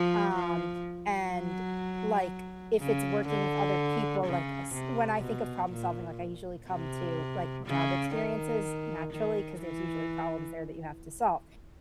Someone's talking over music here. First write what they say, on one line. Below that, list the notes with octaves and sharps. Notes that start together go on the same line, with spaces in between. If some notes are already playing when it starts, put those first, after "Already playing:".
Um, and, like, if it's working with other people, like a s when I think of problem solving, like, I usually come to, like, job experiences, naturally, 'cause there's usually problems there that you have to solve.
Already playing: F3
F3
F#3
C#3
D3
C#3
C3
B2
A#2
C3
C#3
D#3
D#3
E3